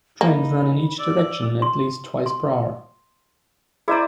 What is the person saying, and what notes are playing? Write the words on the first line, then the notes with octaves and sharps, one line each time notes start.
Trains run in each direction at least twice per hour.
A#3 D#4 B5
D5 E6
C6
C6
E4 G#4 C5 D5 D#5 A#5